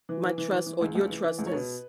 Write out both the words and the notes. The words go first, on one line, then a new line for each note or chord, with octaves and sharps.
my trust or your trust is
E3
E3
E3
E3
E3
C#2
C#2
E3
E3
C#2
C#5
B2 B4